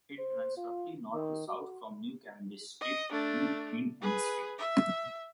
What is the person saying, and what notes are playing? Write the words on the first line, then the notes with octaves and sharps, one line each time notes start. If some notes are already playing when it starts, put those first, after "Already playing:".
It runs roughly north to south from New Cavendish Street to Queen Anne Street.
C5
F4
D#3
F#4
D#5
A3 D4
G#4 B4
E5